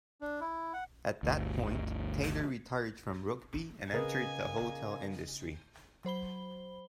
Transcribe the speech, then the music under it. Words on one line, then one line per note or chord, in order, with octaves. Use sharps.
At that point, Taylor retired from Rugby and entered the hotel industry.
D4
E4
F#5
G1 D2
C#3 A#3 G#4 A#4 B4 D#5 G#5
F#3 C5 B5 G7